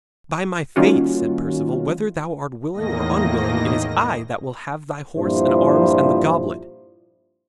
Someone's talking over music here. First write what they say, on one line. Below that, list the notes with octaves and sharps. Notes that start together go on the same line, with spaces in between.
'By my faith,' said Perceval, 'whether thou art willing or unwilling, it is I that will have thy horse and arms and the goblet.'
D#3 G3 A#3 C#4 F4 F#4
E2 A2 D#3 A#3 D#5 A#6
G2 A#2 F3 E4 C5